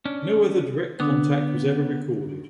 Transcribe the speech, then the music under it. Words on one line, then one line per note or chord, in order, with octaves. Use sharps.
No other direct contact was ever recorded.
C#4 D4
D3 B3 D4 D#6